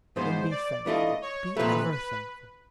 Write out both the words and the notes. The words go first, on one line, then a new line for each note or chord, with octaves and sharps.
Then be thankful--be ever thankful.
G#2 F3 G#3 B3 C5
D5
E3 A3 D4 F4 D#5
C#5
A#2 F3 A3 B4
B4